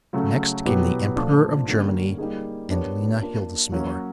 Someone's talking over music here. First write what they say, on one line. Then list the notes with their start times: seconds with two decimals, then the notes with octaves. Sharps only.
Next came the Emperor of Germany and Lena Hildesmuller.
0.13 C#3 F#3 A3 C#4
0.65 B2 F#3 B3 E4 G4
1.16 A#2 F3 A3 D4 F4
1.68 D3 G3 A#3 C#4
2.18 G3 A#3 D#4 G#4
2.69 B3 D4 G4 A#4 C#5
3.21 A#3 D4 F4 A#4
3.72 F#3 A#3 C#4 F#4